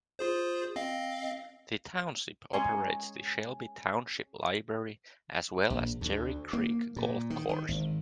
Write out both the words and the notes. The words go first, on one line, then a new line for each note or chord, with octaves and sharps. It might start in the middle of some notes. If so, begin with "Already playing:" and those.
The Township operates the Shelby Township Library as well as Cherry Creek Golf Course.
F4 G#4 C5
C4 D#5 F5
G#3 C#4 A#5
A#1
D2
A#3
A#2
D#3
D#3
G#1